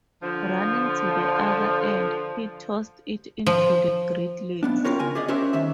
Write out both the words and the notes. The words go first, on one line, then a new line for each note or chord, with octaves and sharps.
Running to the other end, he tossed it into the Great Lakes.
D3 F3
F3
B1 B3 D4
C#4 F4 G4 A#4 C#5
C#3 A#4 G#5
G4 G#4 D5 D#5
C#4 F#4 G4 A#4 C5 E5
C2 D#3 C#4 E5